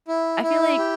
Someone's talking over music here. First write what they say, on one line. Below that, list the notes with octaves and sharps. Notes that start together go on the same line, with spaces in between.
I feel like
E4
E4
G4